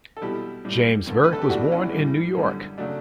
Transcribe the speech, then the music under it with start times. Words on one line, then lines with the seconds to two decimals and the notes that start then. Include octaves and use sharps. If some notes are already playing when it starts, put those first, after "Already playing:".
James Burke was born in New York.
0.17 A4
0.22 B2 G3 E4 G4
0.65 A2 G3
1.07 G2 D3 A3
1.24 B4
1.33 A4
1.42 G4
1.50 E2 B2 A3 D4 F#4
1.72 C#4 E4
1.92 A2 E3 G3
2.35 F#2 D3 G3
2.78 C#3 F#3 A3 D4